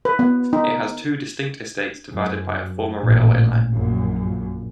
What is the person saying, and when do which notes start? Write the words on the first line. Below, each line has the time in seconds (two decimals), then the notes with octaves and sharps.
It has two distinct estates, divided by a former railway line.
0.05 B4
0.19 B3
0.53 D#4
2.11 F#2
3.00 A1 A#2
3.71 A#1 F#2 A#2